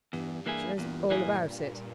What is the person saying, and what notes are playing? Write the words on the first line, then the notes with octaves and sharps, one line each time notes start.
She knows all about it.
E2 G2
E3 A#3 E4 G#4
E2 A#2
E3 A#3 E4 G#4